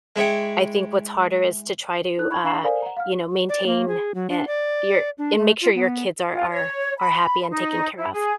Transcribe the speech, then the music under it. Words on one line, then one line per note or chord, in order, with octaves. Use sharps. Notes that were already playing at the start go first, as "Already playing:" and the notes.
I think what's harder is to try to, uh, you know, maintain, eh, your and make sure your kids are are are happy and taken care of.
G#3 E4 C#5 G5
D#4 E4 A4 F#6
B5 C#6 G#6
D4 F5 A#5 C#6 C7 E7
A4 A#4 C5 D5 F5 G#5
F#5 A#5
F5 F#5 F6
D5
A#3
G#4
F#3
D4
D5
D4
A3
F4
B3
F4
C#5
B5
D#4
E4
G#4